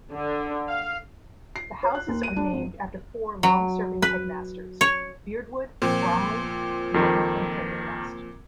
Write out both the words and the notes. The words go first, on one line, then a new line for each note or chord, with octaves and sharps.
The Houses are named after four long serving Headmasters; Beardwood, Bramley, Norton and Prendergast.
D3
F5
C7
C#5
F#6
D#2
D#7
D4
G#1
F#3
B4
C#5
A#2 F3 C4
F2 D#3